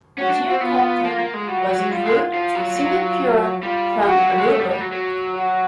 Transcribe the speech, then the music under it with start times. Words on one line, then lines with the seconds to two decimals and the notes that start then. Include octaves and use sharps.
"Aegean Captain" was en route to Singapore from Aruba.
0.18 C#4 F#4
0.29 D4
0.50 C4
0.61 B3 F4
1.04 A#3
1.19 A#3
1.33 G#3
1.48 G3 F#4
1.58 F#3
1.69 F#3
1.80 F#3
1.91 G3 F4
2.05 G#3
2.34 F3 F4
2.55 F#3
2.76 F#3
3.63 G3 F4
4.06 F#3 F#4
4.17 F#3
4.27 G3
4.38 G#3
4.49 A3
4.60 G3
4.70 G3
4.81 F#3
4.92 F#3
5.35 F#4